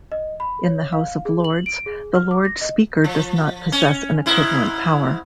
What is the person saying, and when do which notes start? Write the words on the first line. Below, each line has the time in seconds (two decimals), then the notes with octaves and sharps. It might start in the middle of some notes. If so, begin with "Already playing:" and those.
In the House of Lords, the Lord Speaker does not possess an equivalent power.
0.12 D#5
0.40 B5
0.64 C#5
0.92 F5
1.25 G#4
1.45 F#7
1.66 D7
1.86 G#4
2.15 F6
2.31 D6
2.45 A#6
2.61 D#5
3.04 F3
3.72 C#4
4.26 G#2 E4